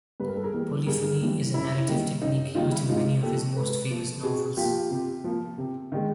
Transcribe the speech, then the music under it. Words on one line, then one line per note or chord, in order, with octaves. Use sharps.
Polyphony is a narrative technique used in many of his most famous novels.
G2 B4
A#4
A4
G#4 A#4
E3 G3 A#3
G2 G#4 A#4
E3 G3 A#3
F#2 E4
D#3 G3 A#3
F#2 D#4
D#3 G3 A#3 D#4 F4
E4
G#2 D#4 F4
F3 A#3 G4 A4
G#2 A4 B4
F3 A#3
C3 F#4 G#4
F3 A#3 F4 G4
C3
F3 A#3
C3
D#3 G#3